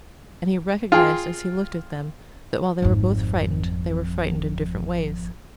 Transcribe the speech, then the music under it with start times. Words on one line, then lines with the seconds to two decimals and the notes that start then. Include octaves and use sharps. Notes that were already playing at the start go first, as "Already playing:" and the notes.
And he recognized as he looked at them that, while they were both frightened, they were frightened in different ways.
0.92 F4 G#4 G5 C6
2.82 G#1 F2